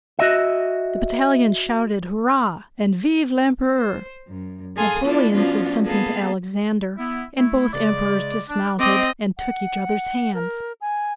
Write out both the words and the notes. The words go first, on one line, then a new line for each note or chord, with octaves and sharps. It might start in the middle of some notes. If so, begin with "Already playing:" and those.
The battalions shouted "Hurrah!" and "Vive l'Empereur!" Napoleon said something to Alexander, and both Emperors dismounted and took each other's hands.
F#4 D#5 E5
C5
F#2
G#4 A4 F5 G#5 C6 D#6
B3 D4 E4 F4 A4
F3 B3 C#4 D4 F4 F#4
A#3 B3 G#4 A4 F5
B3 E4
A3 E4
C#3 G#3 D5
D4
C4 D#5 D6
F#5
A#4
G#5